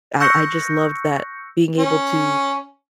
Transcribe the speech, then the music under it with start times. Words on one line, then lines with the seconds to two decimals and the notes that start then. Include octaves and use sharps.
I I just loved that being able to
0.20 C#6 E6 F#6 G6 A#6 C#7
1.79 C#4